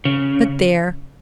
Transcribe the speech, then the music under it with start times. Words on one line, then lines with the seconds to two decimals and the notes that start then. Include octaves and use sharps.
But there!
0.05 C#3